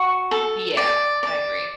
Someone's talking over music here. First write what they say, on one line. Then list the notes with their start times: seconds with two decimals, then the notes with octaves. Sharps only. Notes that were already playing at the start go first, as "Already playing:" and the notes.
Yeah. I agree.
Already playing: F#4 C#6
0.31 A4
0.77 D5
1.23 D5